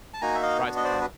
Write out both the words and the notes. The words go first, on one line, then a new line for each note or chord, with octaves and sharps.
The bride's katana.
A5
A#3 D#4 F#4 G#5 A#5
E5
D#5 F5
B3 D4 F#4
D#5
C5 D5
B4